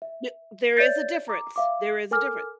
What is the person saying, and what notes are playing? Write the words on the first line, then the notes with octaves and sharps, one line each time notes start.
The there is a difference, there is a difference.
E5
C#5 D5 E5 G6 A6
A#5 D6
E5 F5 D6
A4 A#4 G#5 D6 F6